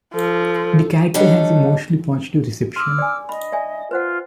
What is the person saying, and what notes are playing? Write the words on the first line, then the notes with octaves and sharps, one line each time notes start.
The character has a mostly positive reception.
F3 A4
F#3 G3 D4 D#4 A4
C6 D6 E6 F6
D5 G#5
D#5 B5
D5 E5 G#5
F4 B4 C5 F#5